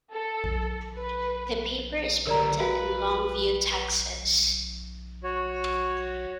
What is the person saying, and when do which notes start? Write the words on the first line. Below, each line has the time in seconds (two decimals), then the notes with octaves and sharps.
The paper is printed in Longview, Texas.
0.13 A4
0.95 B4
2.27 D3 G3 A#4 D5 A#5
2.60 F#4 B4 F5 G#5
5.24 F#4 C#5